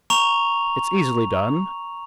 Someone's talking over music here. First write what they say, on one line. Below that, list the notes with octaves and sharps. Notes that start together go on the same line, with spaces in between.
It's easily done.
A#5 C#6 F7